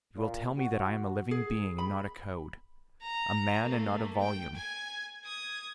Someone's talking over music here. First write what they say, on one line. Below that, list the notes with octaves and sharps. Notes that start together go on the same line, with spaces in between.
You will tell me that I am a living being, and not a code--a man, and not a volume.
A#2
F#4
G#4
B5
A#5
A3 A#3
G5
G#5 G#6
D#6 G#6